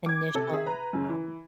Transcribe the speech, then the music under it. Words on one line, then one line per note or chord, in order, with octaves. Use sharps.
initial, um,
D6 G#6
C3 A4
G#4 E5
B4 A#5
F#2 C#3
E3